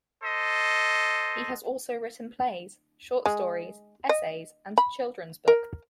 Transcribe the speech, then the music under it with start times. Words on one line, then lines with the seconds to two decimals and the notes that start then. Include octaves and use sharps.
He has also written plays, short stories, essays, and a children's book.
0.23 A4 C5 D#5
3.26 G#3
4.09 D#5
4.78 B5
5.48 A#4